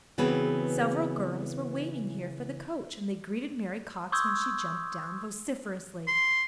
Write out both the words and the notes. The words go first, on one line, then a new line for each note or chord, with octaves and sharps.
Several girls were waiting here for the coach, and they greeted Mary Cox when she jumped down, vociferously.
C#3 E3 B3 C4 F#4 G#4
C6 C#6 D#6 E6 G6 G#6
C6